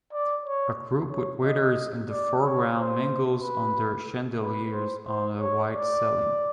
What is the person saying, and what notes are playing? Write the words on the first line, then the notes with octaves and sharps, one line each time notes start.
A group with waiters in the foreground mingles under chandeliers on a white ceiling.
D5
C#5
C#5
D#5
D5
C#5
C5
B4
B4
C5
C5
C#5
D5